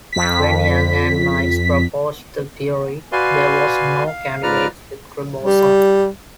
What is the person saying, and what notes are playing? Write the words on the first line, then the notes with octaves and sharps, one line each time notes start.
When Yang and Mills proposed the theory, there was no candidate vector boson.
F2 B6
F#4 B4 D5 F5 G#5 C6
F5
G#2 F4 B4 D5 A#5 F6
G3